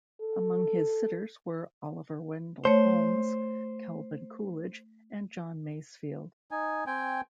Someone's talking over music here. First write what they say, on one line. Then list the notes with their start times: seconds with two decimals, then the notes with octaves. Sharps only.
Among his sitters were Oliver Wendell Holmes, Calvin Coolidge, and John Masefield.
0.21 A4
2.65 A3 C5 C#5
6.51 D#4 G#5
6.87 C4 G5 G#5